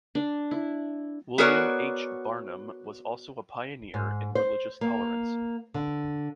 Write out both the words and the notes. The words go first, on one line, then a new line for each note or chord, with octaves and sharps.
William H. Barnum was also a pioneer in religious tolerance.
D4
E4
B3 F#4 G#4 A#4 C#5 D5
G#2
C5
A#3
D3